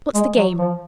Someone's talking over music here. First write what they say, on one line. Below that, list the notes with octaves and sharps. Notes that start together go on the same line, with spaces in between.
What's the game?
G#3
F#3
F3